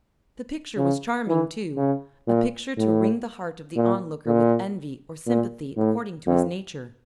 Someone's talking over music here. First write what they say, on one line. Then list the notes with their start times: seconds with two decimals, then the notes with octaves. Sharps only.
The picture was charming, too--a picture to wring the heart of the onlooker with envy, or sympathy, according to his nature.
0.77 C#3
1.27 E3
1.77 C#3
2.27 A#2
2.77 A2
3.76 A#2
4.27 A#2
5.27 A#2
5.76 A2
6.27 F2